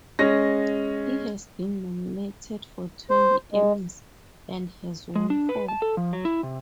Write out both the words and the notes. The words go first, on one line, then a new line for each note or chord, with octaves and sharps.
He has been nominated for twenty Emmys and has won four.
G#3 C#4 A#6
C5
G#3
G#3
D4
B4
A5
A4
F3
F#3
E4
C3